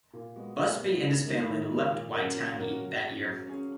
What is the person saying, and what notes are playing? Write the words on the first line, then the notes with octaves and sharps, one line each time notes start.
Busby and his family left Waitangi that year.
A#2
G#3 B3 F#4
A#2
G#3 B3 F#4
D#3
G#3 D#4 A#4
D#3
G#3 D#4 A#4
A#2
F#3 C#4 F#4 A#4
A#2
F#3 C#4 F#4 A#4
F#3
C#4 G#4
F#3
C#4 G#4